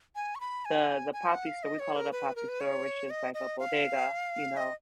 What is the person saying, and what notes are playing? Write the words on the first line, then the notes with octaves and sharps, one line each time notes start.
the the papi store, we call it a "papi store," which is like a bodega, you know,
G#5
C#6
B5
G#5
G#5
F#5
F5
D#5
C#5
A#4
B4
A#4
B4
C#5
D#5
D#5
F5
D#5